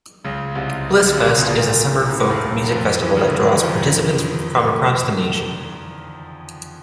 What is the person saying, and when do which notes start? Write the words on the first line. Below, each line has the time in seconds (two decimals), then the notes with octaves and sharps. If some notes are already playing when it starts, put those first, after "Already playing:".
Blissfest is a summer folk music festival that draws participants from across the nation.
0.24 C#2 C#3
0.55 C2 C3
1.07 D3
1.17 C#2 C#3
1.27 C2 C3
1.37 B1 B2
1.48 A#2
2.09 A2
2.20 A2
2.30 D#2 D#3
2.71 F2 F3
3.02 E2 E3
3.17 C#3
3.29 D3
3.41 D#3
3.52 E3
3.63 F2 F3